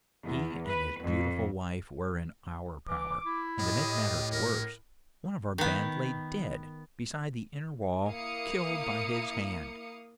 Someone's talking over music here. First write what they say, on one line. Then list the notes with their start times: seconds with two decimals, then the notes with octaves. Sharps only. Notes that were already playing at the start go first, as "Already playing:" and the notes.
He and his beautiful wife were in our power, and, to make matters worse, one of our band lay dead, beside the inner wall, killed by his hand.
0.23 E2
0.68 B4
1.02 F2
2.88 E3 D6
3.24 E4
3.59 A2 F4 G4 D#5
4.31 C#4 A#4
5.58 D#3 B3
8.06 A#3 E4 F5 D#6 C#7